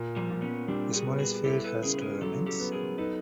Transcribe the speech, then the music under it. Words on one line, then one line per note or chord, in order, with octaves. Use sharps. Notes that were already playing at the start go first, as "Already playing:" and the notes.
The smallest field has two elements.
Already playing: A#2
F3 G3
A#2
B3 C#4
G3 C4 D4
F#4 G#4
B3
F#4 G#4
E4 G4 A4
A4 B4
C#3 G#4 A#4
B4
G#4 A#4
F#3 G4 A4
G4 A4
B3
G#4 A#4
D#4 A4 B4